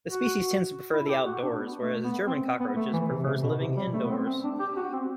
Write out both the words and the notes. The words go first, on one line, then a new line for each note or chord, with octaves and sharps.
This species tends to prefer the outdoors, whereas the German cockroach prefers living indoors.
F#4
E4
A4
G4
F#4
D4
B3
A3
B3
C4
B3
A3
E3
C3
C3
B2
C3
G3
A3
B3
C4
C4
D4
G4
F#4
C4